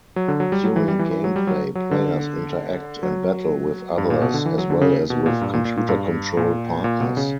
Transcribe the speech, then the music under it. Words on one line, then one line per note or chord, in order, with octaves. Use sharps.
During gameplay, players interact and battle with others, as well as with computer-controlled partners.
F#3
D3
F#3
G3
F#3
E3
G3
E3
E3
F#3
G3
F#3
F#3
D3
F#3
G2
A#2
B2
D3
E3
F#3
D3
C#3
B2
A#2
G2
A#2
A#2
A#2
G2
A#2
A#2
B2
C#3